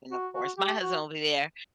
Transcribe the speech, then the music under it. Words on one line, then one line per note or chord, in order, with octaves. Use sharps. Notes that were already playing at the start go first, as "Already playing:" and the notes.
and of course, my husband will be there,
F#4
F#4
G4
F#4